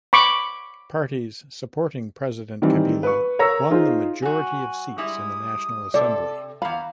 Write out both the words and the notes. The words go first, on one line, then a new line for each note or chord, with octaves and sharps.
Parties supporting President Kabila won the majority of seats in the National Assembly.
B5 C#6 D6
D#3 E3 G3 C4
B4 C#6
A#4 C#5 A#5 C#6 E6 A#6
D#4 F4 G#4 C5
F#3 F#4 G#5
G3 G#3 E4 D#6
C3 A4 D5
E2 F5 A#5 B5